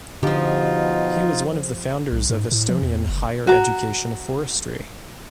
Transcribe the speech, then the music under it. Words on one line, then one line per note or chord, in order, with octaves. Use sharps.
He was one of the founders of Estonian higher education of forestry.
B2 D3 F3 D#4 F4 G4
B1
G#2
A2
F3
E2
F#1
F#4 A#5